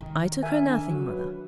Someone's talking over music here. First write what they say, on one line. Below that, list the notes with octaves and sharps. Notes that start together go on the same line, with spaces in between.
'I took her nothing, Mother.
D#3
A#4 E5 G#5
D3
F#3
B4